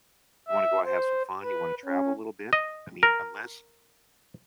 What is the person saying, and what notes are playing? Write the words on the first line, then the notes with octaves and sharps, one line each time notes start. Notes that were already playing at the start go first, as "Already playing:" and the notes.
You wanna go and have some fun? You wanna travel a little bit? I mean, unless
E5
C5
B4
C#4
D#5
A#4